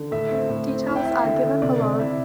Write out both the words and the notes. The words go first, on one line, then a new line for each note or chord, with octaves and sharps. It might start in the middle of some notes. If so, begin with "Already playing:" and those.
Details are given below.
Already playing: D3
A2 E5
C4
A2
C4
E4 E5
G5
E4 E5
D3
D3
C3 D5
C3
E4 E5